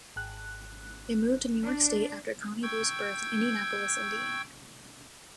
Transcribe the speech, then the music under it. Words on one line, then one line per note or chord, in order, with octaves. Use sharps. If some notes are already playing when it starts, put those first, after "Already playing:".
They moved to New York state after Connie Booth's birth in Indianapolis, Indiana.
G#1 F#6
D4
G5 C#6 E6 G6 G#6